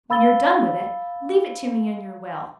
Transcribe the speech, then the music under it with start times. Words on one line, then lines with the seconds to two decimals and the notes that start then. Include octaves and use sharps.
When you're done with it, leave it to me in your will.
0.10 F5 B5 E6 A6 G7